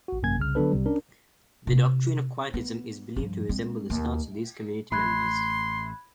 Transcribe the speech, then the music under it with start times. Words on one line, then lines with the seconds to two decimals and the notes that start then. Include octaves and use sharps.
The doctrine of Quietism is believed to resemble the stance of these community members.
0.08 A1 F#4
0.23 G#1 F#2 C3 A#3 G#5 G#6
0.38 C2 C#3 F6
0.55 D3 F#3 B3 D4 A4 B4
0.72 C2 C3 G3
0.86 C#4 D4 A#4
1.67 C3 E4
2.54 B3
3.16 G2 F3
3.49 G#3 C4
3.90 D#2
4.92 A1 A3 B5 C6 F#6 G#6